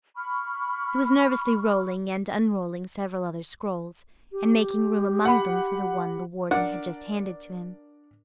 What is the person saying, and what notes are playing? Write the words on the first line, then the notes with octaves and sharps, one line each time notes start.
He was nervously rolling and unrolling several other scrolls, and making room among them for the one the Warden had just handed to him.
B5 C#6 F6
G4
F#5 B5
D4 A#4 D5 F#5